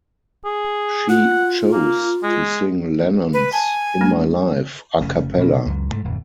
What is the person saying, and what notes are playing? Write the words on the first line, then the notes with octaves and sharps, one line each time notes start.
She chose to sing Lennon's "In My Life" a cappella.
G#4
F4 F#5
A#3
G#3
B4
G#5 A5
G#3 A#3 D4
F1 C#3 A3 C#4
B2 A#3 C#4
C#2 F#2
G#2 A3
D1 F2